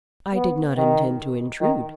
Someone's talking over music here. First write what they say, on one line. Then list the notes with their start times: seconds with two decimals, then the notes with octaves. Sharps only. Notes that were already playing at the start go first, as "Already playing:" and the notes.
"I did not intend to intrude."
0.34 B3
0.77 D#3
1.61 D#3